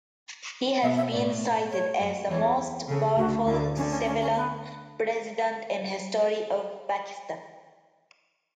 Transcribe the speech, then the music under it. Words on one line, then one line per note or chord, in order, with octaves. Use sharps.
He has been cited as the most powerful civilian president in history of Pakistan.
B2 B3 E5
E5
A2 A3 D5
C#5
F#2 F#3
E2 E3 C#5
C#3 A4
D2 D3 F#4
D2 D3 E4
D2 D3 C#4
C#4
C#4
C#4
B3